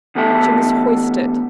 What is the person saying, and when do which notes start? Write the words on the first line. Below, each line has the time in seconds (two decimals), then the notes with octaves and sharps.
She must hoist it.
0.15 E2 B2 A3 G4 A4 E5